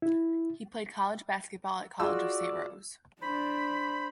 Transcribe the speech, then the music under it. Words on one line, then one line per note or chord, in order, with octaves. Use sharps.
He played college basketball at College of Saint Rose.
E4
G#3 F4 F#4 D5 E6
D4 C5 B5